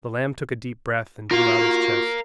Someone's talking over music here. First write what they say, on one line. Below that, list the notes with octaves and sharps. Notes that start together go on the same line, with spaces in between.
The lamb took a deep breath and blew out his chest.
F4 F#4 A#4 F5